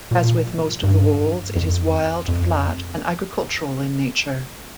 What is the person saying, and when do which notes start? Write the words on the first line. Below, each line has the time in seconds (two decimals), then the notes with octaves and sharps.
As with most of the wolds, it is wide, flat and agricultural in nature.
0.11 A#2
0.83 G2
1.56 F2
2.28 F2